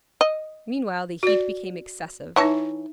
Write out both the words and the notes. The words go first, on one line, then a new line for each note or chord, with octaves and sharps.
Meanwhile the heat became excessive.
D#5
F#4 D5
E3 D#4 C#5 E5 A5